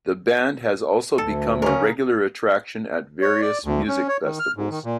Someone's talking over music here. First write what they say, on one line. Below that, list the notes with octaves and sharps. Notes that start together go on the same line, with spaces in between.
The band has also become a regular attraction at various music festivals.
D2 A4
C#3 C#4 A#4
C#5
D5
D2
C#4
C#5
D#3
F6
G#2
D#3
A#2